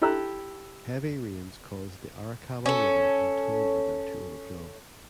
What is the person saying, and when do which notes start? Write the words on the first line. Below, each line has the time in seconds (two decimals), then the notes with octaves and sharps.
Heavy rains caused the Arakawa River and Tone River to overflow.
0.02 E4 G4 A4 A#5 E6 F#6
2.66 C#4 A4